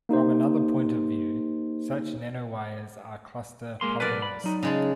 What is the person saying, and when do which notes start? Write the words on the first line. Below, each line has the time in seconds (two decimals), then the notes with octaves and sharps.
From another point of view, such nanowires are cluster polymers.
0.09 A#3 D#4 G4 C5
3.81 G#3 A#3 C6
4.00 B1 A#4 B4 D5 F#5 A5
4.22 B5
4.44 F#3 D#4
4.63 C#3 G#3 A5